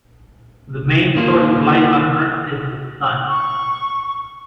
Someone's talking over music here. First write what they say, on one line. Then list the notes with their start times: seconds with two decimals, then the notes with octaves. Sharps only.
The main source of light on Earth is the Sun.
1.15 D#3 A#3 F4
3.27 C#6